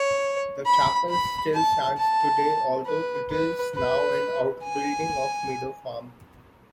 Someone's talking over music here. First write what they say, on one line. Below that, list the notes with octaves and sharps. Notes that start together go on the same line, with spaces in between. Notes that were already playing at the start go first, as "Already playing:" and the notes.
The chapel still stands today although it is now an outbuilding of Meadow Farm.
Already playing: C#5
B5
B5
A5
A5
B4
B4
B4
G#5